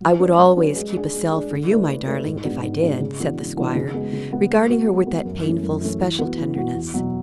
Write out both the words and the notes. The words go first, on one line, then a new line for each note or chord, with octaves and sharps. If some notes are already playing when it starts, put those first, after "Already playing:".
"I would always keep a cell for you, my darling, if I did," said the squire, regarding her with that painful, special tenderness.
F#3
C#4 F#4 B4 D5
F#3
C#4 F#4 B4 D5
G#3
D4 G#4
G#3
D4 G#4
D3
A3 E4 B4 D5
D3
A3 E4 B4 D5
G#2
G#3 B3 D4 F#4
G#2
G#3 B3 D4 F#4
C#3
E3 B3 D4 F#4
C#3
E3 B3 D4 F#4
C#3
G#3 B3
C#3
G#3 B3
G#3
B3 F#4
G#3
B3 F#4
F#2
E3 A3 C#4
F#2
E3 A3 C#4
E3
B3 F#4
E3
B3 F#4
E2
B2 F#3